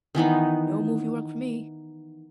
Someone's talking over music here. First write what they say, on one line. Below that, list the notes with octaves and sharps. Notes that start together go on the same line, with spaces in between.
No movie work for me!
D#3 E3 B3 D#4